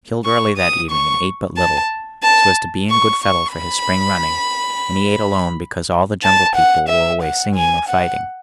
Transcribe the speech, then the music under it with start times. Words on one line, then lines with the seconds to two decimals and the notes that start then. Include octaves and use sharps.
He killed early that evening and ate but little, so as to be in good fettle for his spring running, and he ate alone because all the Jungle People were away singing or fighting.
0.24 C#6
0.57 D#6
0.91 C#6
1.57 A5
2.23 A5
2.90 C#6
3.23 C#6
3.56 B5
6.23 A5
6.55 F#5
6.89 E5
7.22 F#5
7.55 G#5
7.89 F#5